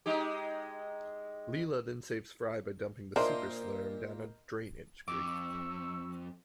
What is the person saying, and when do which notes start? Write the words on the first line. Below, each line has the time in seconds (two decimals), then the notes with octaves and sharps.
Leela then saves Fry by dumping the super-slurm down a drainage grate.
0.06 G#3 D#4 G4
3.16 A#2 D4 A#4 C5 D#5 E5 A5 C6
5.08 F2 C#6 D6 E6